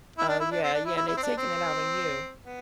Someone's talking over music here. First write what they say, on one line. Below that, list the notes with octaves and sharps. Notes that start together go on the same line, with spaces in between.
Oh yeah, yeah, and they taking it out on you.
E4
D4
E4
D4
C4
D4
E4
E4
E4
C4
D4
C4
B3